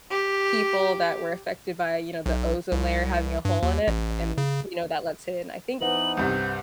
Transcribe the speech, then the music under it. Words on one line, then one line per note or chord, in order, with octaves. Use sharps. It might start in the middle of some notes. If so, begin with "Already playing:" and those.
people that were affected by, you know, the ozone layer having a hole in it, and, you know, that lets in, I think,
G4
B1
C2
G2
D#2
A1
C#3
E3 B3 D#4 B4 C5 F#5 F#7
C2 G2 C3 G6